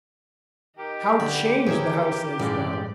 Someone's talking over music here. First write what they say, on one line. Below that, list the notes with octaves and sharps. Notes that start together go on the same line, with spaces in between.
How changed the house is, though!
D#3 G4 A#4 D#5
D3 B3
E2 E4 G#4 A#4 C#5 E5
A1 G2 C#3 G#3 D5